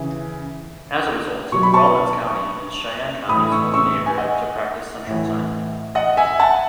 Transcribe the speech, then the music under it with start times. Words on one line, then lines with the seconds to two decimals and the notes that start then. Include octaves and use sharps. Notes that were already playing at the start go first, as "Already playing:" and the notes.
As a result, Rawlins County is Cheyenne County's only neighbor to practice Central Time.
Already playing: C#3 E3
1.52 B2 F#3 C#6
1.63 B5
1.74 A5 C#6
3.29 A2 E3 B5 D#6
3.52 C#6 E6
3.74 C#6 E6
4.06 G#5
4.18 D#5 F#5
5.07 A2 E3
5.95 D#5 F#5
6.17 E5 G#5
6.40 F#5 A5